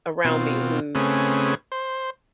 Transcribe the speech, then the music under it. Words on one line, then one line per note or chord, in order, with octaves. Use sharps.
around me who
B2 C4 F4
C#3 A3 C4 C#4 G#4 B4
C5